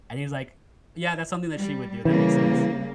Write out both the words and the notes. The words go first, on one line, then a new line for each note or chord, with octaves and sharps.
And he was like, "Yeah, that's something that she would do. That makes sense."
G3
C#3 E3 G3 A#3